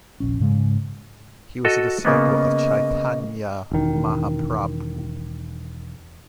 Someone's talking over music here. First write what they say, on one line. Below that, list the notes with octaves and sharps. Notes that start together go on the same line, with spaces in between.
He was a disciple of Chaitanya Mahaprabhu.
D#1 A#1 C#4
G#2 C#3 G#3
F#4 A4 D#5
C#3 A#3 B3 D#5
E1 D#3